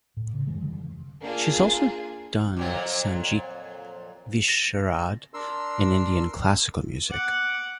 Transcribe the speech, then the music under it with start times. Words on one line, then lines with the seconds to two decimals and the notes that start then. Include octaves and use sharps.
She has also done Sangeet Visharad in Indian classical music.
0.17 A2
0.34 C#3
0.47 F#2 D#3 E3 G#3
0.61 D3 E3 G3
0.80 F1
1.22 A#3 D4 F4 G#4
2.57 F2 A#2 F#3
4.48 A6 A#6
5.34 D4 A#4 C6 E6
7.11 F#5 D6